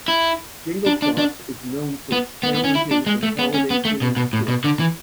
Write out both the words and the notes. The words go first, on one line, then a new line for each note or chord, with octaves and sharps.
Jingle Cross is known for its challenging and holiday themed course.
E4
D4
D4
D4
B3
B3
B3
C#4
E4
D4
G#3
A3
B3
C#4
B3
A3
B2
B2
A2
B2
D3
E3